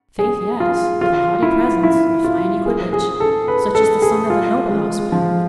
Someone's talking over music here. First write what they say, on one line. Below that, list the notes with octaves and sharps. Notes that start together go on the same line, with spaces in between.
"Faith, yes, with a haughty presence, a fine equipage; such as the son of a noble house would have."
G#4
F4
F4
E4
E4
F4
G#4
G#4
A4
B4
A4
G#4
F4
G#3
F3